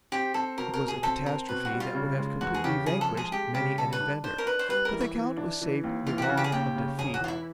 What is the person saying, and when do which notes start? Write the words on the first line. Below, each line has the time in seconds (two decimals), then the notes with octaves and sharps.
It was a catastrophe that would have completely vanquished many an inventor, but the Count was saved the gall of defeat.
0.12 C4 G4
0.34 C4 A4
0.58 B2 A#4
0.74 A#4
0.81 B2
0.88 G#4
1.03 C4 A4
1.26 C4 A#4
1.49 B2 B4
1.65 F#4
1.72 G3
1.80 F4
1.95 C#3
2.17 G#3
2.41 E2 F#4
2.54 G#4
2.64 C#3 G4
2.86 F3 G#4
3.01 A4
3.09 G#3
3.17 G#4
3.32 G#3 G4
3.55 C#3 G4
3.78 G3 A4
3.93 B4
4.01 D4
4.24 D4 C5
4.38 A#4
4.46 D4 B4
4.59 C5
4.69 G3 B4
4.85 A#4
4.92 E3
5.00 E4
5.15 E3
5.37 D4
5.61 E3
5.84 D#2
6.07 E3 F4
6.18 G4
6.22 F#4
6.29 C#3
6.37 G4
6.44 G#4
6.52 D#2 G4
6.76 C#3
6.98 E1 G#4
7.14 F#4
7.21 E3 F4
7.28 E4